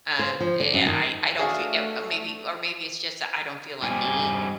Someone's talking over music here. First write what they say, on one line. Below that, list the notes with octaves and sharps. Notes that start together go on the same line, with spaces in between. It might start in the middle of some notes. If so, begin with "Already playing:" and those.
And eh, I I don't fee uh, maybe, or maybe it's just that I don't feel a need
C5
F3
D3
F#2
D#3
A3 C#4 D4 F#4 G#4 E5 F5
G2 G3 C4 D#4 D5 G#5